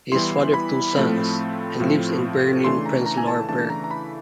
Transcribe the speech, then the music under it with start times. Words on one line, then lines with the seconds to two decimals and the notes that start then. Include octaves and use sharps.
He is father of two sons and lives in Berlin-Prenzlauer Berg.
0.12 E3 G3 B3 E4 C6
0.54 B5
0.96 A2 F3 A3 C4
1.80 A2 F3 A3 C4
2.64 C#3 E3 A3 D4 C6
2.86 A#5
3.06 A#5
3.17 G#5
3.27 A5
3.49 C#3 E3 A3 D4 A5
3.70 A#5
3.84 A#5
3.91 B5